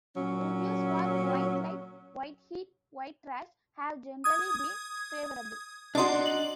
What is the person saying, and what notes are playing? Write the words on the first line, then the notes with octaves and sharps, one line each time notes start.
Reviews for "White Light, White Heat, White Trash" have generally been favorable.
A#2 F#3 C#4
D#6 G#6
D4 D#4 F#4 D5 C6
F#7